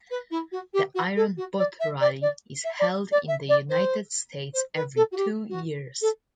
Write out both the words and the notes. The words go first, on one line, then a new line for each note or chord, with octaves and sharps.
The Iron Butt Rally is held in the United States every two years.
B4
E4
F#4
G4
F#4
A4
F#4
D5
E5
D5
D5
E5
D5
D5
E5
D5
C5
C5
B4
A4
F#4
G4
F#4
A4